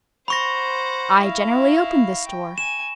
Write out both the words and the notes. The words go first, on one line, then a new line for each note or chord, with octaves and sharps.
I generally opened the store.
C5 F#5 B5 C#6 A#6
E4 F5
G5
G#5 E7